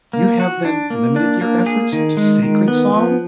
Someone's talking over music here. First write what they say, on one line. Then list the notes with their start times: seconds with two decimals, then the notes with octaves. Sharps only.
"You have, then, limited your efforts to sacred song?"
0.13 A#3
0.40 F#4
0.65 D4
0.90 A#3
1.16 D4
1.41 A#3
1.66 G#4
1.92 D#3
2.17 G#3
2.43 D#3
2.68 B3
2.93 F3